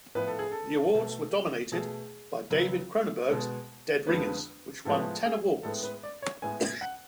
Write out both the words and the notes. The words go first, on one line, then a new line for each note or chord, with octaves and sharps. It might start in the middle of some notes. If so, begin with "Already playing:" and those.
The awards were dominated by David Cronenberg's "Dead Ringers" which won ten awards.
A2 F3 B3 B4
A4
G#4
A4
B2 A3
B2 A3 G#4
C#2 C#3 F#3 B3
B2 G#3 B3
F2 D3 F3 G#3 B3 B4
A2 F3 G#3 B3 A4
G#4
A2 G#3 B3 A4
B4
D5
C#5
A2 G#3 B3 G#5
F#5